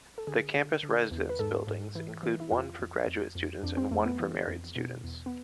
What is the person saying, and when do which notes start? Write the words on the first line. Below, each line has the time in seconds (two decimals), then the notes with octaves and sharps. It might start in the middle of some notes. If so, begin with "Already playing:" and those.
The campus residence buildings include one for graduate students and one for married students.
0.18 A4
0.27 D3 G#4
0.55 D3
0.83 D3
1.11 E2
1.29 B4
1.39 G#2 A4
1.67 G#2
1.95 E3
2.23 E3
2.40 E4
2.51 F2 F4
2.79 F2
3.07 F2
3.35 F2
3.63 F2 D4
3.77 C4
3.91 F2 A3
4.05 B3
4.20 E3
4.48 F2
4.76 B2
5.03 E2
5.26 B3